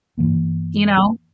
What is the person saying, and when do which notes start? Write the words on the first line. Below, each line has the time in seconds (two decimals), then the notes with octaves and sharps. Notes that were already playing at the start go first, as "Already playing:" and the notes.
you know?
0.18 G2 E3 A#3 B3